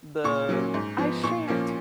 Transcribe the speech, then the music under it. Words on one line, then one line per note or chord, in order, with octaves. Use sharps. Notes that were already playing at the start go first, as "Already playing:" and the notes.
the "I shan't,
A#2 C#6
F#3 A#3 C#4
G#2
F3 B3
A#2 C#6
F3 A#3 C#4